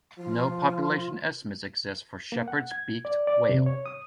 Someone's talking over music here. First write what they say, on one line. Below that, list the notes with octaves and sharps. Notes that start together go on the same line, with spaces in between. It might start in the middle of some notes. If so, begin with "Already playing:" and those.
No population estimates exist for Shepherd's beaked whale.
F3 F4
A#3
F#5
G#6
D5
D5
C3
C#5
D#6